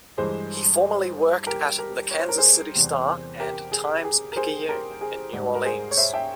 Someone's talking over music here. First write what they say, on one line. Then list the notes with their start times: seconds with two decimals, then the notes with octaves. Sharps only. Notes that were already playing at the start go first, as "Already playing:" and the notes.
He formerly worked at "The Kansas City Star" and "Times-Picayune" in New Orleans.
0.17 G2 E3 G#3 G#4 C5
1.47 G4 A#4
1.79 G4 A#4
2.11 C#5
2.20 C5
2.29 A#4
2.38 G#4 C5
2.76 E2 C3 G3
3.40 G4 A#4
3.72 G#4
4.04 G#4
4.32 A#4
4.36 G#4 C5
4.69 G4 A#4
5.01 G#4
5.33 G#2 G3
5.55 A#4
5.65 G#4 C5
5.91 C#5
5.97 C5 E5
6.14 E5 G5